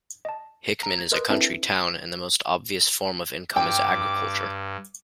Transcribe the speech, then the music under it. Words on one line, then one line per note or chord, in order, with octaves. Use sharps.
Hickman is a country town, and the most obvious form of income is agriculture.
D#5 A5
A#5
G#6
A#4 B4 D#5 C6 D#6 F#6
C4 D4 E4 A4 B4 E5
G2 G5 D6